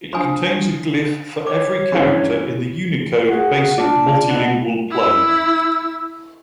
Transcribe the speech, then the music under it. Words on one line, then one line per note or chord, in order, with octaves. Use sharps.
It contains a glyph for every character in the Unicode Basic Multilingual Plane.
F3 D4 G#5 B5 D#6
C#5 D6
G2 C#3 E3 E4 B5
F#4 G#4 F5
D4 F4 D5 A5
D#4 A4 B4 F#5
E4 E6